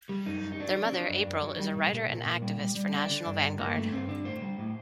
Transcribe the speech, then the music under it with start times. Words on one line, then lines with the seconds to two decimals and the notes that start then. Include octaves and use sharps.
Their mother, April, is a writer and activist for National Vanguard.
0.09 G3
0.26 F#2 D#4
0.43 F#2
0.52 D#4
0.60 F#3 D4
0.77 F#3
0.85 C4
0.92 F#3 D4
1.09 F#2
1.26 F#2
1.43 F#3
1.59 G3
1.75 A#2
1.92 A#2
2.09 A#2
2.25 A#2
2.42 G3
2.59 G3
2.75 G3
2.92 D3 D4
3.09 D3
3.26 G2
3.42 D3
3.59 G2 A#3
3.76 D3 A3
3.92 G2 C4
4.08 D3 D4
4.24 A2 C5
4.42 G3
4.58 A2